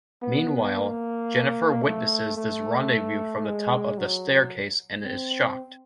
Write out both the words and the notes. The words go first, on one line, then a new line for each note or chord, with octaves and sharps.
Meanwhile, Jennifer witnesses this rendezvous from the top of the staircase and is shocked.
B3
A#3
A3
A3
G#3
F#3
C4